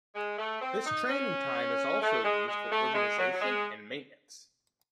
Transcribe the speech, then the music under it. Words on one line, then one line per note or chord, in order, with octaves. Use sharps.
This training time is also used for organisation and maintenance.
G#3
A3
C4
D#4
C#4
A3
G#3
G#3
A3
G#3
F#3
F#3
G#3